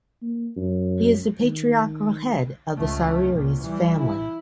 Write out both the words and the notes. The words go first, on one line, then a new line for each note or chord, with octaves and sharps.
He is the patriarchal head of the Sawiris Family.
A#3
F#2
D#3
C#2 A3
C#2 A#2
E3 G3
E4